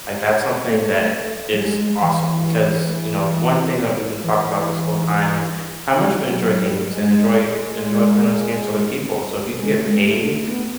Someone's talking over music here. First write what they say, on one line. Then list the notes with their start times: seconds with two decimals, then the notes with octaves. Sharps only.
like, that's something that is awesome because, you know, one thing that we've been talking about this whole time is how much we enjoy games and enjoy enjoy playing those games with other people, so if you can get paid
0.68 A3
1.53 F#3
1.57 G#3
2.02 E3
4.24 E3
6.02 F#3
6.92 G#3
9.58 G#3
9.71 A3
9.84 G#3
9.97 G#3
10.03 A3
10.48 B3